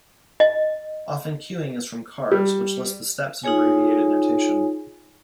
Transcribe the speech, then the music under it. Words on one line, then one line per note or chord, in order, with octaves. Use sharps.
Often cuing is from "cards" which list the steps in abbreviated notation.
D#5
G3
D#4 F4 G#4 C#5 G#5